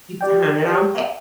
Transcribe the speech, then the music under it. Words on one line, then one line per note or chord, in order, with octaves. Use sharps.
You turn it on back.
G4 D5 G5